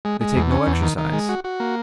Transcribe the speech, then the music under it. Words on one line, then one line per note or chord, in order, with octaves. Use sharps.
They take no exercise.
G#3
G#3
E2
C#4
E2
D#3
D#3
G#3
F#4
F#4
A#3